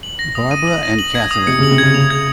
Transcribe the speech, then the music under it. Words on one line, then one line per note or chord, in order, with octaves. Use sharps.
Barbara and Catherine.
F#7
A#6
D#6
D#7
F#7
A#6
F#7
G#6
D#6
C3 C#7
C#3
F#7
C3
C#3 G#6
C#3 F7
G#6